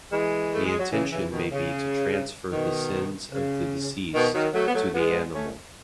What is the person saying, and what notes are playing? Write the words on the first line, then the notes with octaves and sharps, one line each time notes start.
The intention may be to transfer the sins of the deceased to the animal.
E3 G#3
A3
G#3
F#3
C#3 E3
C#3 E3
B2 D#3
C#3
B2 D#3
C#3
B2 D#3
D#3 F#3
F#3 A3
B3
F#3 A3
G#3 B3
A3 C#4